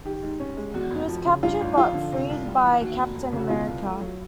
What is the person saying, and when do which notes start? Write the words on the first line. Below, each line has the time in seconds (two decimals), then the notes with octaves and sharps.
He was captured, but freed by Captain America.
0.05 D#3 G4
0.23 G#2
0.40 C#4
0.57 G#3
0.74 E2 F#4
0.91 F1
1.09 F3
1.26 C#3
1.43 G2 F4
1.61 A1
1.77 F3 F4
1.94 D3
2.12 C3
2.29 C2
2.46 G3
2.63 E3
2.81 D#2 F#4
2.98 F1
3.15 F1
3.33 C#3 F#4
3.49 B2 F4
3.67 C2
3.84 A3
4.01 F#3